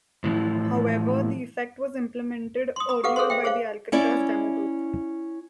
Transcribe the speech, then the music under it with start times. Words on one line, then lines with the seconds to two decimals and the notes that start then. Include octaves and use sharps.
However, the effect was implemented earlier by the Alcatraz demo group.
0.24 A2 E3 F3
2.76 C6 D#6
2.89 B5 D#6
3.04 G4 A4 B4 F5 F#5 D6
3.16 G#4 A4 B4 C5 C6
3.30 C5 E5 G5
3.44 G#4 C5 C#5 F5
3.92 C#4 E4 D5